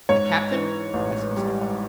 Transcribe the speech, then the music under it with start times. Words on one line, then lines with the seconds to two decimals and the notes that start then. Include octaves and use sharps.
"The captain?" asked Mr. Fogg.
0.09 G#2 C#5
0.52 E3
0.94 A1
1.37 G3